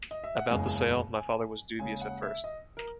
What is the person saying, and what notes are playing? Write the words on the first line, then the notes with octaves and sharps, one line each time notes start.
About the sale, my father was dubious at first.
D#5
E5
F#5
F#1 E2 C#3 G#3 G#5
G#5
D#2 C#3 G#3 G#5
F#5
E5
D#5
A#4